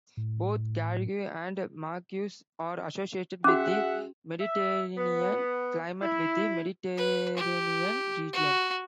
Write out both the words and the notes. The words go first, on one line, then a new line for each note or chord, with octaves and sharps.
Both garrigue and maquis are associated with the Mediterranean climate within the Mediterranean region.
A2
C#4 F#4 G#4 E5 F#5 D6
E5
B3
E4
B4
G4
F#4